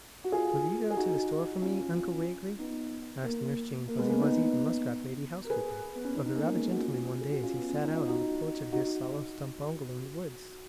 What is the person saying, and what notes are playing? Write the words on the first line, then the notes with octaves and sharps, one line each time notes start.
"Will you go to the store for me, Uncle Wiggily?" asked Nurse Jane Fuzzy Wuzzy, the muskrat lady housekeeper, of the rabbit gentleman one day, as he sat out on the porch of his hollow stump bungalow in the woods.
F#4
F4 G#4
G#4
D#4 F#4
F#4
C#4 F4
C#4 F4
B3 D#4
A#3
A#3
G#3 B3
A#3 C#4
B3 D#4
A#4
G#4 B4
B3
C#4
B3 D#4
B3 D#4
A#3 C#4
A#3
G#3
F#4
C#4 F4
G#4
F#4
C#4 F4
B3
C#4
D#4
F4
D#4 F#4
D#4 F#4